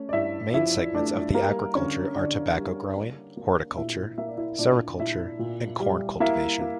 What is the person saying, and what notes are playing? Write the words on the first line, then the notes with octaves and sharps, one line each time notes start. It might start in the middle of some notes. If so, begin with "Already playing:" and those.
Main segments of the agriculture are tobacco growing, horticulture, sericulture and corn cultivation.
Already playing: A3 C#4
D5
G2 E4 E5
F3 E4 E5
A3 D4 D5
G3 A#3 A#4
D3 C#4 C#5
D3 D4 D5
G3
A#3
A#3
A#2 E4 E5
A#3 E5
D5
E4 E5
A#2 D4 D5
A#2 E4 E5
A#2
G3
A#3 E4 E5
A#3